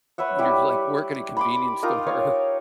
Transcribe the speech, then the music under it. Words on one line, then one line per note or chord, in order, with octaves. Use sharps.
you, like, work in a convenience store,
B4 C#5 E5 F#5
G3 E4 G4
B5 C6 D6
D#4 F4 A#4 G5
C#5 F5